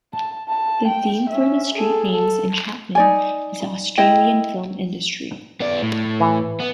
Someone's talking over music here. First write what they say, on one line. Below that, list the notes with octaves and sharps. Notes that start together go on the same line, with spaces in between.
The theme for the street names in Chapman is the Australian film industry.
A5
A5
G5
C#4 E5
G#4 A4
A4
D#4 D5 G#5
E4 D#5 G5
B3 D5
A2
E3
B3